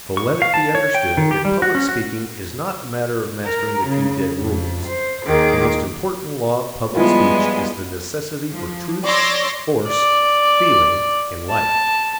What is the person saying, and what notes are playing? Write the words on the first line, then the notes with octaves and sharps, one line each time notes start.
So let it be understood that public speaking is not a matter of mastering a few dead rules; the most important law of public speech is the necessity for truth, force, feeling, and life.
C#6
F5
A5
C#5
G5
D#3
G4
G3
F#4
C#4
F#4
A#4
C#3
F2
C5
D#2 D#3 G#4 D6
F3 G3 G#3 B3 E4 F4
F3
C#5 D5 C6 D6 E6 A#6
D5
A5